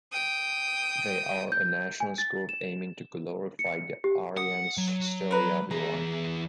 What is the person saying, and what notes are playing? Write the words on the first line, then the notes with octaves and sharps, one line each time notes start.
They are a nationalist group aiming to glorify the Aryan history of Iran.
G5 D#6
G6
G#5
A6
E7
C#7
G4
F#5 D#6
F#3
A#4 B4
E2 G#4 A#5